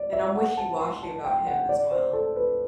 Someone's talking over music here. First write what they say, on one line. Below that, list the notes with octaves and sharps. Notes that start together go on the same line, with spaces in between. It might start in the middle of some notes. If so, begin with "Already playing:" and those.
and I'm wishy-washy about him as well.
Already playing: D5
E5
F#5
A5
C6
A5
G5
F#5
D5
C5
A4
B4